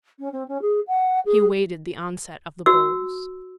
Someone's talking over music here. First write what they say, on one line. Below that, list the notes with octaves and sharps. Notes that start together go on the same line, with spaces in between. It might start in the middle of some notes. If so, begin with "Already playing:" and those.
He awaited the onset of the bulls.
C#4
C4
C#4
G#4
F#5
G#4
F#4 E6